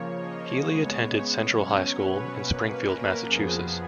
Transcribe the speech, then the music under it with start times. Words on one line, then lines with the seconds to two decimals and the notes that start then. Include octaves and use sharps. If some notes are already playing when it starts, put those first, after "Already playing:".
Healey attended Central High School in Springfield, Massachusetts.
Already playing: C#3 F3 A#3 C#5
0.13 D#5
0.57 C#3 G#3 B3 C#5
1.45 B2 F#3 C#4
1.90 B4
2.33 B2 A#3 C#4
2.78 A#4
3.22 F2 F3 B3 G#4